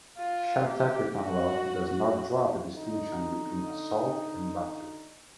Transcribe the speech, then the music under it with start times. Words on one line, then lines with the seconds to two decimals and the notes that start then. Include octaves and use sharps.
South African law does not draw the distinction between assault and battery.
0.18 F4
0.68 G4
1.21 F#4
2.74 D3 D#4